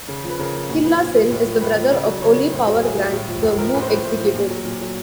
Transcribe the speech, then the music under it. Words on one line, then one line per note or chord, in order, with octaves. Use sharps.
Killa Sin is the brother of Oli "Power" Grant, the Wu executive.
C#3
F3
B4
C#3 A#4
F3
A#2 F#4
F3 B4
A#2
F3
A2
F3
A2 B4
F3
C#3 D5
F#3 D5
C#3 C#5
F#3
A2 C5
F#3
A2 G#4
F#3
A2
F3
A2 A4
F3 A#4
A2 B4
C5
F3 B4
A2 C5
F3
A#2
F#3
A#2
F#3